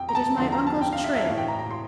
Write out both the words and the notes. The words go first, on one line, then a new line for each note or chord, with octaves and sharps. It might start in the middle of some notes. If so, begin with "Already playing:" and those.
"It is my uncle's trade."
Already playing: F2 G5
A#5
A5
E2 D3 F3 C6
A#5
A5
G5
F5
E5
E5
A2 E3 F5
G5
A#5
A#5
C6